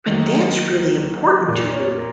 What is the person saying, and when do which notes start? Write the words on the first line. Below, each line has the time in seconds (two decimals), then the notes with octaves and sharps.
but that's really important to you.
0.07 D#3 F#3 A#3 D#5
1.48 A#2 A#3
1.73 C#5
1.96 A#4